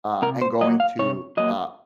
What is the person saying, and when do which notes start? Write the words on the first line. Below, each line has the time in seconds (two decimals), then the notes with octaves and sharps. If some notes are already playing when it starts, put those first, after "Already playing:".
uh, and going to, uh,
0.22 C3 A#4
0.41 C5
0.61 F#3 A#3 D#5
0.80 F5
0.99 C3 C#5
1.37 F#3 A#3 D#5